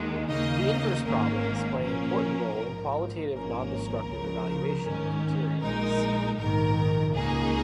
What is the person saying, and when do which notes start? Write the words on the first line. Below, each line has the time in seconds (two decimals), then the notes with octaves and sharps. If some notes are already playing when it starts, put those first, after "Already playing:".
The inverse problems play an important role in qualitative nondestructive evaluation of materials.
Already playing: D#2 D#3 G#3
0.29 D#2 C#3 A#3 D#4 D#5
1.04 G#1 G#2 D#3 A#3 C#4 A#4
1.81 A#2 F3 A#3 C#4 A#4
2.57 A#1 G#2 F3
3.33 G#1 G#2 F3 A#3 C#4 A#4
4.09 C#2 C#3 F3
4.85 G#2 D#3 C#4
5.61 A#1 A#2 G#3 D#4 A#4
6.37 A#1 G#2 D#3 A#4
7.13 C#2 C#3 A#3 D#4 G#4